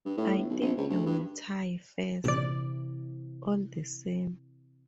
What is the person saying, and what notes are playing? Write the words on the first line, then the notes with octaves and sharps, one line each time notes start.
I think you will tire first, all the same.
G2
A2
G1
B1
A#1
C#2
D2
G2
A#1 C3 E3 D5